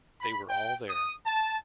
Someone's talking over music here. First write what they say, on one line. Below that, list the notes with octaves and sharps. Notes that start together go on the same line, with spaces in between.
They were all there.
B5
G5
D#6
A5